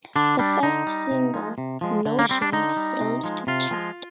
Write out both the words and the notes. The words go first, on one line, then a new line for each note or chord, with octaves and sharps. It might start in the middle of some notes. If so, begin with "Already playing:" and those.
The first single, "No Shame", failed to chart.
D3 D4
G3 D4
D3 D#4
G3
C3
F3 G#3
C3
F3 G#3
D3
A#3
G3 C4
D4
D3 D#4
G3
C3
F3 G#3
C3 F4
F3 G#3